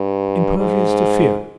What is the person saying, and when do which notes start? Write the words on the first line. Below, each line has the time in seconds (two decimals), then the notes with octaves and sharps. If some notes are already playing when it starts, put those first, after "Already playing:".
Impervious to fear!
Already playing: G2
0.59 G#2